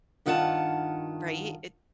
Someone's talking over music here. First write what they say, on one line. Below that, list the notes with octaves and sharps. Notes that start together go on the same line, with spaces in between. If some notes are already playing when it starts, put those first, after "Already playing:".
Right, it
G2 D#3 F4 F#5 G#5 A5